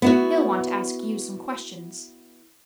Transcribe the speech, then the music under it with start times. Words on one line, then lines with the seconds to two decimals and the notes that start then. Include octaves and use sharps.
He'll want to ask you some questions.
0.02 B3 E4 F#4